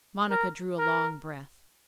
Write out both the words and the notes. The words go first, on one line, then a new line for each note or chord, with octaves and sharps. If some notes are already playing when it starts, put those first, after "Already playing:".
Monica drew a long breath.
A#4
A#4